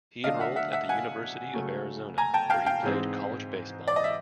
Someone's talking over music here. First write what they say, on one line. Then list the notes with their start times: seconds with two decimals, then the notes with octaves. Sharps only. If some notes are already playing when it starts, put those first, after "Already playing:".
He enrolled at the University of Arizona where he played college baseball.
0.24 D3 F#3 A3 D4 D#5 F5
0.40 E5 F#5
0.56 E5 F#5
0.72 E5 F#5
0.89 F#5 G#5
1.54 C#3 F#3 A3
2.18 G#5 A#5
2.34 G5 A5
2.50 F5 G5
2.66 F5 G5
2.83 G#2 E3 G#3 C4 D#4
3.88 D5
3.96 D#5
4.04 E5